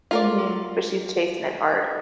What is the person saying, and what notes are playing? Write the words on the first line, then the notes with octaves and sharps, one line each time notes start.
Mhm, but she's chasing it hard.
F4 A#4 D5